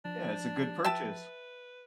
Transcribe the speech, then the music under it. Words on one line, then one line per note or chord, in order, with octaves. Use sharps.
Yeah, it's a good purchase.
F3 D4
B4 E5 G5 A5